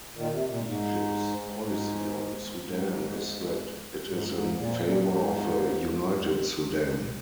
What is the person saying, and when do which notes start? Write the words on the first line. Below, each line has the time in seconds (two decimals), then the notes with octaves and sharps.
Egypt's policy on Sudan is that it is in favor of a united Sudan.
0.16 A#2 D#3
0.31 C3
0.48 A#2
0.65 G#2
1.63 G#2
2.61 G#2
4.07 G#2
4.32 G#2
4.57 A#2
4.81 A#2
5.07 G#2
6.04 G#2
6.20 F2